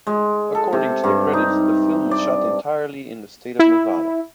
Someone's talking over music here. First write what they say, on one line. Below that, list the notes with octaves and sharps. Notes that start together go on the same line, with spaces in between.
According to the credits, the film was shot entirely in the state of Nevada.
G#3
A4
C3
G2
D#4
D5
E4